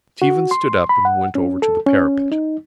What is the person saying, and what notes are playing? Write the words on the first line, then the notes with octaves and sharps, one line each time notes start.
Stephen stood up and went over to the parapet.
F#4
C6
B5
F#5
C#4
A4
C#4
D#4